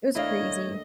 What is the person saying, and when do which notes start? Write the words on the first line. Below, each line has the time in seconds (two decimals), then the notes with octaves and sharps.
it was crazy.
0.15 D#2 A3 D4 E4 C#5 D#5 F5